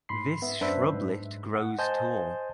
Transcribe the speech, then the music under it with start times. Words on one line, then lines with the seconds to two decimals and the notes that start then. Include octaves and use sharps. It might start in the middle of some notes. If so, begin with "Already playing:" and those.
This shrublet grows tall.
0.09 G#2 B5 C6 C7
0.42 B3 E5
0.61 F#2 D4 B4 C5 E5
0.93 G#2
1.55 F#5
1.78 C5 D#5 G#5 A5 G6